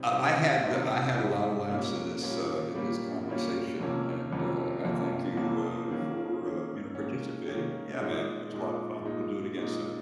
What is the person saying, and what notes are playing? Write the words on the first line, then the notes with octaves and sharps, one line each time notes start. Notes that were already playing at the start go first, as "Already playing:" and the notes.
I I had eh, I had a lotta laughs in this uh, in this conversation, and, uh, I thank you, uh, for, uh, you know, participating. Yeah, man. It was a lotta fun, we'll do it again soon.
Already playing: C3 G3 C4 D#4
C3 G3 C4 D#4
C3 G3 C4 D#4
C3 G3 C4 D#4
A#2 G3 A#3 C#4
A#2 G3 A#3 C#4
A#2 G3 A#3 C#4
A#2 G3 A#3 C#4
F2 C3 F3 A#3 C#4
F2 C3 F3 A#3 C#4
F2 C3 F3 A#3 C#4
F2 C3 F3 A#3 C#4
D#3 A#3 C#4
D#3 A#3 C#4
D#3 A#3 C#4
D#3 A#3 C#4
A#2 G#3 D#4
A#2 G#3 D#4
A#2 G#3 D#4
A#2 G#3 D#4